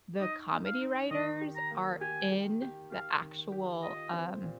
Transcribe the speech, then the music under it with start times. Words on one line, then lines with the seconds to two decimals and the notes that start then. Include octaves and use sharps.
the comedy writers are in the actual, um
0.20 D#4 D#5
0.50 D#4
0.66 F5
0.81 D#4
1.11 D#3 D#5
1.41 G4
1.56 A#5
1.71 A#3
2.01 G4 G#5
2.32 G4
2.62 G4
2.92 G4 F5
3.22 D#3
3.52 G4
3.83 F4 D#5
4.13 C4
4.43 A#2